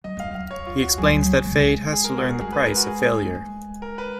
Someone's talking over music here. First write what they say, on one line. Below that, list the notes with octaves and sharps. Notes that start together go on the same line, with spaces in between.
He explains that Feyd has to learn the price of failure.
F#3 D#5
G#3 F5
F#3 F5
C#5
F4
F#4
F#3 G#4
F#3
F#3
C#3
G#3
G#4
A#4
F#4
G#4
G#3 G#4
B4
A#4
F#4
G#4
G#3
A#4
B4